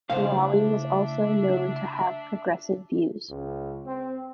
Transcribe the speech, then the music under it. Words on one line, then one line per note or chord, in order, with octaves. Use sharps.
Filali was known to have progressive views.
C#3 A3 D4 E4 C5 E5 F5
C#2
C4